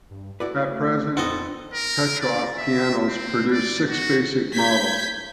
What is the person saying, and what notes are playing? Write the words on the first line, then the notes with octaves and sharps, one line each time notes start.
At present, Petrof pianos produce six basic models.
G2
A3 E4 F#4 B4 D5
F2 A#2 B3 C4 D#4 A4 D#5 F#5
A#4
D5
E5
C4
D5
F#4
G6 G#6 B6